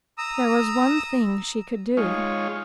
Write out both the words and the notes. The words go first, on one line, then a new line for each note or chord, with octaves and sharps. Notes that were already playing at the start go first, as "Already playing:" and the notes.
There was one thing she could do.
A#5 D#6 E6
G#3 D#4 F4 C#5